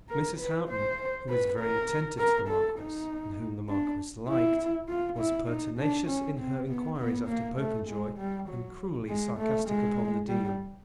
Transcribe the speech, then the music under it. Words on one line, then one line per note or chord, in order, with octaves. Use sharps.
Mrs. Houghton, who was very attentive to the Marquis and whom the Marquis liked, was pertinacious in her enquiries after Popenjoy, and cruelly sarcastic upon the Dean.
A#4
B4
C5
B4
A#4
A#4
A4
D#4
D4
E4
F4
E4
D#4
D4
C#4
C4
B3
B3
A#3
A3
G#3
G3
F#3
G#3
A3
G#3
G3